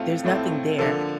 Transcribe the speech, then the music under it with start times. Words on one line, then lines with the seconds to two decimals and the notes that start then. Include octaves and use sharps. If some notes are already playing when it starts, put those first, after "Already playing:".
there's nothing there.
Already playing: A2 A3 C4 F4
0.25 A2 A3 C4
0.78 D3 F3 A#3 A4